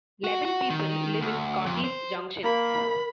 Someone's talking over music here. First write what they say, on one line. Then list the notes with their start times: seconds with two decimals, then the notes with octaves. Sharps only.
Eleven people live in Scotty's Junction.
0.24 F#4
0.45 F#4
0.70 D#3
1.21 D2
1.66 F2
1.84 C5
2.44 A#3 A#4 B5